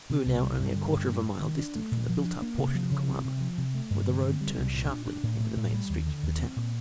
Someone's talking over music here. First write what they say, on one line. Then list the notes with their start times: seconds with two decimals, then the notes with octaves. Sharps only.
We were now only a quarter of a mile distant from the built-up portion of Coamo, where the road turned sharply into the main street of the town.
0.10 C3
0.26 C2
0.42 G3
0.60 G2
0.76 D3
0.93 G2
1.09 A#3
1.26 G2
1.42 D#3
1.59 D4
1.76 A3
1.92 A#2
2.09 F3
2.25 D4
2.42 A#3
2.58 C3
2.75 F3
2.91 C3
3.08 C4
3.25 C3
3.41 F3
3.58 C3
3.74 A3
3.91 G2
4.07 D3
4.24 C4
4.41 G3
4.58 C2
4.74 A#2
4.91 D4
5.07 D4
5.23 A2
5.41 A3
5.56 A2
5.73 G3
5.89 D#2
6.06 D3
6.23 D#2
6.39 C4
6.56 A#2